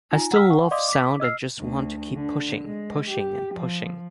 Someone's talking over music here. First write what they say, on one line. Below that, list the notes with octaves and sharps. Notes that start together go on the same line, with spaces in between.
I still love sound and just want to keep pushing, pushing and pushing.
D#4 F4 G#5 A#5
F#5 A#5 E6 F6 B6
F#5 C#6
D5 D#5 F5 C6 D6 D#6
D6 B6
D#5 E6 F6 C7
D2
D3
G#3
G4
F3